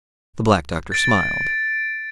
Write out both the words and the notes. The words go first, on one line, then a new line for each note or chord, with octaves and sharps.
The Black Doctor smiled.
A6 D7